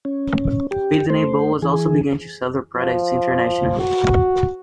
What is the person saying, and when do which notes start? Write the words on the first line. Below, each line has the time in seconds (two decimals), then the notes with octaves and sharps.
Pitney Bowes also began to sell their products internationally.
0.05 C#4
0.71 G4
1.10 A3 C5
1.62 E3 G#4
2.77 F3
3.80 F#4